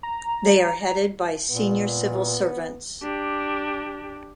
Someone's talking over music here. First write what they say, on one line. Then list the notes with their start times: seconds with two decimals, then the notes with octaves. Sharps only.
They are headed by senior civil servants.
0.03 A#5
1.50 A#2 B3
3.02 D4 G4